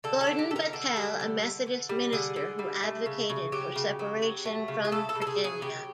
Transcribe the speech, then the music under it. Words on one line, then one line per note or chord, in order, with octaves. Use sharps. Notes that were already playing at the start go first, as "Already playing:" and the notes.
Gordon Battelle, a Methodist minister who advocated for separation from Virginia.
D3 A4
A4
D3
G4
D3 A4
A#4
D3 A4
G3
D3
D3
D3
G3
D3 G#4
D3
G3
A3
C#3
C#3
F#3 G4
C#3
F#3
F#3
A3
C#3
G#4
C#3 A4
A4
C#3
A4
G#4
F#3
G#4
C#3 G4